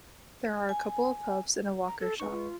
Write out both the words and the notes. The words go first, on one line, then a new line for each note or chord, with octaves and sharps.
There are a couple of pubs and a walkers' shop.
G#5
A#5
A4
G#3 D#4 B4 C#6
F4